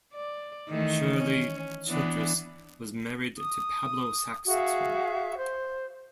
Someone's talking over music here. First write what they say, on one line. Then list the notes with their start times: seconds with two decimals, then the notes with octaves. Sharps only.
Shirley Childress was married to Pablo Saxton.
0.14 D5
0.68 D#3 E3 A3
1.17 C#4
1.88 E3 B3 D4
3.36 D#6
4.47 F#4 G#4 E5 F5
5.39 C5